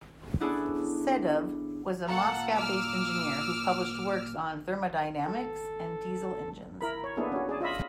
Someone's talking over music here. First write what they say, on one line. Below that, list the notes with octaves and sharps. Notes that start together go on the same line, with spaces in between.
Sedov was a Moscow-based engineer who published works on thermodynamics and diesel engines.
B3 C#4 D4 E4 G#4 A4
A#2 A4 F5 F#5 A#5
D6 E6 F6
A4
E4 A#4 B5
C#5
A#3 B3 D4 E4 G#4 A4
C#4 F#4
G#4 D5 A5
F4 D#5 E5 B5